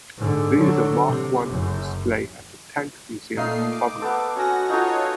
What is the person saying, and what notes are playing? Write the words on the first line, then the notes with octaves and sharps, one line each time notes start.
There is a Mark One on display at The Tank Museum, Bovington.
G#2 D3
D3 F#3
C3
F#1 F#2
A#2 A3 D#4 D#5 F5 C7
D6
B3 A4 C5
C#4 F#4 A#6
D#4 F4 F#4 A4 C#5 D#5